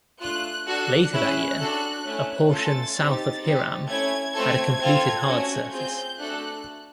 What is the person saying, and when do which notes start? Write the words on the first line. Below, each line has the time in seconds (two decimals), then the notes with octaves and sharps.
Later that year, a portion south of Hiram had a completed hard surface.
0.21 A3 D4 F4 F#6
0.67 D4 F#4 A4 F#6
1.12 C#4 E4 G#4 F#6
1.60 D4 F#4 A4
2.06 A3 C#4 E4
2.50 A3 C#4 F4 A4 A6
2.97 C4 D#4 G4
3.43 C4 D#4 G4
3.88 A3 C#4 E4 G#6
4.34 A3 C4 F4 A4 G#6
4.81 C4 F4 A4
5.26 A3 C#4 F#4
5.72 C4 F4 G#4 G6
6.18 A3 D4 F#4 A4 F#6